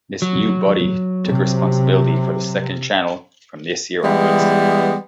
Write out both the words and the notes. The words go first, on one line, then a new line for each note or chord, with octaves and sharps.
This new body took responsibility for the second channel from this year onwards.
F#3
C3
E3 G3 G#3 B3